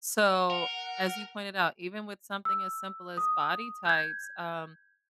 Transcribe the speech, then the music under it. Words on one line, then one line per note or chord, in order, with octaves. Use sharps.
So, as you pointed out, even with something as simple as body types, um,
A#4 F#5
E6
D#6
G6 G#6